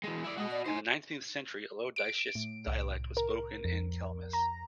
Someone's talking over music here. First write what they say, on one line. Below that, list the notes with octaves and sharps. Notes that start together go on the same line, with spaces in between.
In the nineteenth century a Low Dietsch dialect was spoken in Kelmis.
E3 G#3
E4 D5
G#3 F#4 D#5
D5
D#4 C5 G#5
D7
A2
C2
A#4
F2
A#5